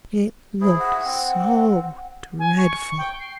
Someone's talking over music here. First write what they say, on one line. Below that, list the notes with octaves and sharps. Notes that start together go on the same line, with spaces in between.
It looked so dreadful.
E4 G#4 C5
F#5
C4
G#5
C#6
G5
C7